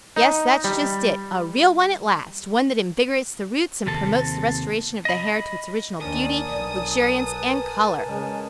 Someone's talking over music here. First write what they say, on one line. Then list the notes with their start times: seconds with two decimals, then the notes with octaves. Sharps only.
Yes--that's just it--a real one at last--one that invigorates the roots and promotes the restoration of the hair to its original beauty, luxuriance and color.
0.16 D#4
0.64 G3
3.86 D#2 C3 C4 A4
5.05 D#5 B5
6.00 D#2 D4 A#4 D5 G#5 A5 D#6
6.48 B1
7.13 B4
8.04 C#3 G#3